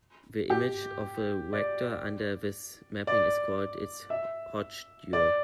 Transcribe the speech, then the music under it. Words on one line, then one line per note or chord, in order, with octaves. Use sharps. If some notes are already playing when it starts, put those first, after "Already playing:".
The image of a -vector under this mapping is called its "Hodge dual".
G4
D5
D5
E5
D5